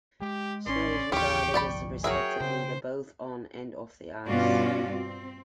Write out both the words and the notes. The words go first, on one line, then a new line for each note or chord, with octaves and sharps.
Snow was regarded as a respected leader both on and off the ice.
G#3 G4
A1 C#4 D5 C6
A1 D#2 E3 C#4 F4 G4 G5 C#6
G1 C2 F3 D5 A5 B5
F#3 G#4 A#4 C#5 E5 G5
C#3 C5
G2 B2 C#4 F4 F#4 D5
C4